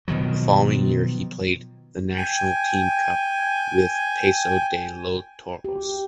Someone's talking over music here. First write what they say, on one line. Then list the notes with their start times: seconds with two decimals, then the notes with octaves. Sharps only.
The following year, he played the National Team Cup with Paso de los Toros.
0.08 B2 D#3 F3 F#3
2.18 G5 G#5
5.64 G4